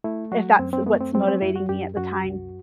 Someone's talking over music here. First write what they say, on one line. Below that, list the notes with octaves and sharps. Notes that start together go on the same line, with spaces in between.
if that's what's motivating me at the time.
A3 E4
F#3 F#4
F#2 C4
C4
A3 B3
C4
F#3 C4
C4
F#2 E4
F#4
F#2 G4
F#2 F#4
C2